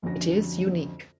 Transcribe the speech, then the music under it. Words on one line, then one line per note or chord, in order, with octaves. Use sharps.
It is unique.
A#1 F2 D3 C#4 F#4 A#6